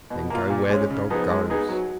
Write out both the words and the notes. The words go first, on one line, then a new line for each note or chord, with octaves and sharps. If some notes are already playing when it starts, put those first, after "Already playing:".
Then go where the dog goes.
B2
A#3 F4
A#2
G#3 C#4
C#3
F3 B3 D#4 G#4
G#3
B3 D#4 G#4
F#3